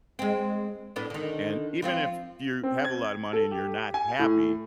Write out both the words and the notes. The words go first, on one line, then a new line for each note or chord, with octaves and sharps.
and even if you have a lot of money and you're not happy,
G#3 C4
A2 B3 D4
D3 D#3
F3 C4 F4
C4
G#6
A4
G4
G#5
A2